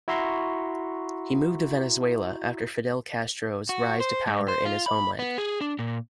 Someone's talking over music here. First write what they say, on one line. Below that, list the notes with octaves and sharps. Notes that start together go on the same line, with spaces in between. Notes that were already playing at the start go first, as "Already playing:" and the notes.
He moved to Venezuela after Fidel Castro's rise to power in his homeland.
E4 F#4 E5 A#5 C6 C#6
F#4
C5
G#2
C5
F4
B5
B3
G#4
D4
A#2